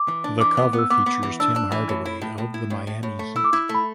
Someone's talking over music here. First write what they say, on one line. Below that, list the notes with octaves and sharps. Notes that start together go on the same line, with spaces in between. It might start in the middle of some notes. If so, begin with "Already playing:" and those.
The cover features Tim Hardaway of the Miami Heat.
Already playing: D6
E3
D4
E3 D6
B3
B3
E6
B3 D6
B3
E3
D4 E6
D4
E3
A2
E4
A2
A2
E4
A2
A2
A2
A3
E4 E6
D6
E4 E6
A3
B5